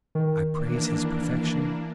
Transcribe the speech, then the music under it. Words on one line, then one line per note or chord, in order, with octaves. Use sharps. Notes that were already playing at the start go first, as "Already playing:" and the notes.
I praise his perfection.
D#3
E3 A#3 D4